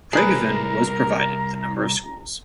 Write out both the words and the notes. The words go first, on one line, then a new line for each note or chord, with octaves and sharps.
Craigavon was provided with a number of schools.
C2 D4 G#4 A#4 B4 A#5